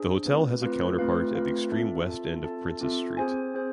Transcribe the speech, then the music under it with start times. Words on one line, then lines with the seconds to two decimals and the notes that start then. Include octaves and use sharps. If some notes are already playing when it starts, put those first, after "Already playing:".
The hotel has a counterpart at the extreme west end of Princes Street.
Already playing: D4 G#4 C5
0.25 A3 C4 F4 B4 F5
0.62 A3 C4 F4 B4 F5
0.98 A3 C4 F4 B4 F5
1.35 A3 C4 F4 B4 F5
1.71 C4 F4 A4 E5 A5
2.08 C4 F4 A4 E5 A5
2.44 C4 F4 A4 E5 A5
2.81 C4 F4 A4 E5 A5
3.17 C4 G#4 C5 G#5
3.54 C4 G#4 C5 G#5